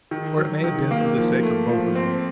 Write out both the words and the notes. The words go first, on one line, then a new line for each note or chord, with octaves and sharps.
Or it may have been for the sake of both of them.
D#3
F#3
D#3
A#3
F3
A3
F3
C4